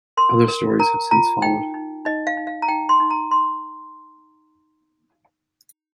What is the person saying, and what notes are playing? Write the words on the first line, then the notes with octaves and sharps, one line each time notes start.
Other stories have since followed.
A#4 C6
A#4
A#4 A#5
F4 A#5
D#4 G5
D#4
D#4 D#5
F5
D#4
F5
A#5
D#4 G5
C6
D#4
A#5
D#4 C6